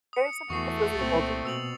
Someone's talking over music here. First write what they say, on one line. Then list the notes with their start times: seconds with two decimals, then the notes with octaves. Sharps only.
there is something that feels indulgent.
0.13 D#6 C#7
0.50 E2 E3 A3 F#4 C#6 D#6 C7
0.95 C2 A#2 C4 A6
1.45 B2 E6 F7 F#7